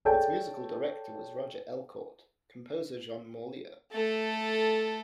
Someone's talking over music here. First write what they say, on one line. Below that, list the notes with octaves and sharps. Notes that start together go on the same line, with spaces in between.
Its musical director was Roger Elcourt, composer Jean Morlier.
G#4 A4 C#5 D5 G5 A5
A3 A4